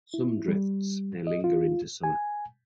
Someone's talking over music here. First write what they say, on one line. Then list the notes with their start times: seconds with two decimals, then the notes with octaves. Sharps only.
Some drifts may linger into summer.
0.14 E4
0.48 G3
1.27 D#5
1.44 F4
2.04 G#5